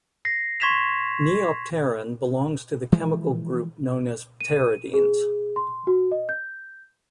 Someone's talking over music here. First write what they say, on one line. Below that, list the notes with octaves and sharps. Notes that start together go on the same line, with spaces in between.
Neopterin belongs to the chemical group known as pteridines.
A#6 C7
C6 C#6 G#6 B6 E7 F7
E3 F3 G#3
D#7
G#4
C6
F#4
D#5
G6